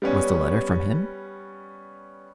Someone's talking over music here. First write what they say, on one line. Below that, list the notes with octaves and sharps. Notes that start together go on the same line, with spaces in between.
"Was the letter from him?"
G3 B3 C#4